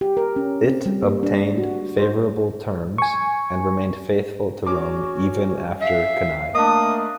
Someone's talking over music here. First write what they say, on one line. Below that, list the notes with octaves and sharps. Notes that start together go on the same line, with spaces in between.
It obtained favourable terms, and remained faithful to Rome even after Cannae.
G4
A#4
C#4
C4
G3
A#3
D4
F#4
C5
G#5 C#6
C#4 F#4 D6
E5 F5
A3 A#3 D4 D#5 D#6